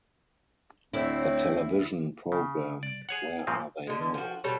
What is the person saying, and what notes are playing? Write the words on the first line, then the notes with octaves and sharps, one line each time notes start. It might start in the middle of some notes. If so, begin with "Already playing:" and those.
The television programme Where Are They Now?
D2 A2 C4 E4
C#3
D5
G#4 C#5 F#5
C#2 A#2 C#3 F3 C4
D3 G#3
F3 F#4
B2 G3 A4 C#5